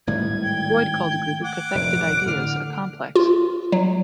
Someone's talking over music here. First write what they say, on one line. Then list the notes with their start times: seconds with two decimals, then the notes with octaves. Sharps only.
Freud called a group of cathected ideas a complex.
0.07 G#1 A2 G3 G#6
0.43 G5
1.44 F#5 D6
1.75 F1 A#2 D7
2.26 A2 D3 F6
3.16 F4
3.72 F#3